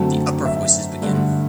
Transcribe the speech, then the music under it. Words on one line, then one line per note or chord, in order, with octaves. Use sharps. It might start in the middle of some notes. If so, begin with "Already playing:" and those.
The upper voices begin.
Already playing: F#2 D3 F#3 A3 C4 A5
E5
G2 D3 A3